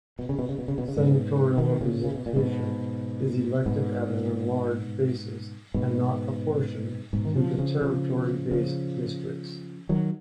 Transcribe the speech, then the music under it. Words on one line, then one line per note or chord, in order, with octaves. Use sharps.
Senatorial representation is elected at an at-large basis and not apportioned through territory-based districts.
B2
C#3
B2
C#3
B2
C#3
B2
C#3
G#2 B2
B2 D#3
A#2 C#3
C#3
B2
A#2
G#2 B2
G#2 B2
G#2 B2
G#2 B2
D#3
C#3 F3
C#3 F3
C#3 F3
C#3 F3
D#3 F#3